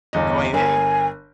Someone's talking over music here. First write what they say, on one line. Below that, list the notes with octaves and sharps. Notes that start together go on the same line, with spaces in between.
Going in?
G1 E2 D#5
G1 A#4 G#5